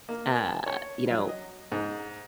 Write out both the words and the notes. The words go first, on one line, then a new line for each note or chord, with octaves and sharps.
uh, you know,
A#3
A5
C#5
F#3
D#5
G#2